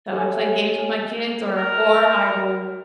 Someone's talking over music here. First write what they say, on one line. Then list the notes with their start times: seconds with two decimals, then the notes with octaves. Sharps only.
So, I play games with my kids or or I will,
0.12 G4 A4 C#5 G#5
1.56 A#4